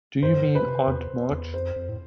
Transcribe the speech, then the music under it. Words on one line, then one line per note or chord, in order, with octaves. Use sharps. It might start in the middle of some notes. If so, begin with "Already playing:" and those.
Do you mean Aunt March?
G2 C5
D3
B4
C3
E2 B4
E2
F2 C5
F2
A2